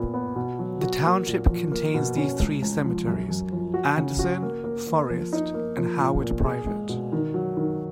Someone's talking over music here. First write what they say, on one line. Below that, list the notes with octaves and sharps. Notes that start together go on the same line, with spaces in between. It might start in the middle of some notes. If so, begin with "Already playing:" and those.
The township contains these three cemeteries: Anderson, Forest and Howard Private.
Already playing: A#2 B3
B3
B2
F#3
F#4
A#3
A#2
F3
A#3
B2
C#4
C#2
C#2
F3
F#2
F#2
F3
F#4
C#3
F#4
A#3
A#3
A#3
F3
D#4
A#3
F3
A#2
A#2
G#4
G#3
B2
D#3
F#3
D#3